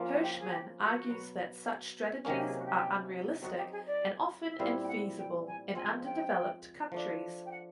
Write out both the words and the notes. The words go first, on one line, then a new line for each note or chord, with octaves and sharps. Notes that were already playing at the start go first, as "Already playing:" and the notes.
Hirschman argues that such strategies are unrealistic and often infeasible in underdeveloped countries.
Already playing: F3 A#3 C#4 F4
F#4
G4
G#4
G4
F#4
B2 F#3 B3
C3 D#3 F#3 A#3 C#4 G4
G4
G#4
F#4
G4
F#3 A3 C4 D#4 F#4
G4
G#4
D5
E5
A#2 G3 C4 E4 F5
G5
F#5
G5
G#5
F3 G#3 C4 F4 G#5
G5
F3 A3 D4
G5
F#5